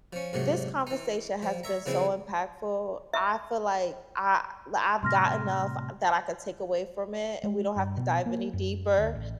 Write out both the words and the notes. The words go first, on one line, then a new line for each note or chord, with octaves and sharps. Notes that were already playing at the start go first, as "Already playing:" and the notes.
this conversation has been so impactful, I feel like I l I've got enough that I could take away from it and we don't have to dive any deeper,
F3 C#4
G#2 C3 F#3 A3
E3 D#4
F3
C#5 E5 A#5
C#3 E3 F3 C4 E4 G#4
E5
A2 C3 G3 C6 F6 A#6
G#3
G2
B2
A#3
F#2
D2
A1